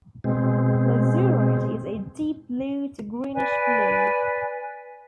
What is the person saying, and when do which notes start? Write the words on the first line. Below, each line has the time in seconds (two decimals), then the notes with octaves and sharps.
Lazurite is a deep blue to greenish blue.
0.24 B2 G#3 C4
3.34 B4 D5 G#5